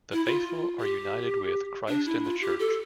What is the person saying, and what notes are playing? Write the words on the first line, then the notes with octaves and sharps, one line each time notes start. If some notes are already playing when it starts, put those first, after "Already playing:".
The faithful are united with Christ in the Church.
E4
F4
G4
D4
E4
F4
G4
A4